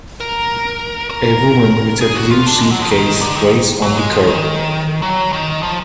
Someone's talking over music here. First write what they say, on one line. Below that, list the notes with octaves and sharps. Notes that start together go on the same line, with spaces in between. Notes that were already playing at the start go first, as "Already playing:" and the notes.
A woman with a blue suitcase waits on the curb.
A#4
A#4
G#4
F#4
F4
D4
G#3
F#3
F3
D#3
D3
D#3
F#3
G#3
F3
D#3
F#3
D#3
F3